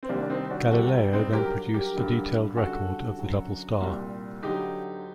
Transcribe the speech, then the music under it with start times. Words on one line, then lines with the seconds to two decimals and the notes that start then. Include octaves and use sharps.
Galileo then produced a detailed record of the double star.
0.03 C4
0.09 C2 C3 D#3 G3 A#3 D4
0.23 D4
0.30 C4 D#4
0.51 D4 F#4
0.71 C2 C3 G3 F#4 A4
1.12 C4 D#4
1.33 G2 F#3 G4 A#4
1.74 G4 A#4
1.95 G2 D3 F#3
2.57 F#2 D3 G3 F#4 A4
3.19 F#2 D3 F#3
3.80 C2 A#2 G3
4.43 D2 D3 F#3 D#4 G4